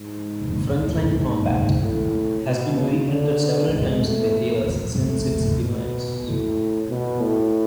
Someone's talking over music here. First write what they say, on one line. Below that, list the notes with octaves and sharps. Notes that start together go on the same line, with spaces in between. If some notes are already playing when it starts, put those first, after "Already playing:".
"Frontline Combat" has been reprinted several times in the years since its demise.
Already playing: G#2
A2
G#2
A2
B2
C#3
D3
G#3
A3
A3
B2
A2
B2
A2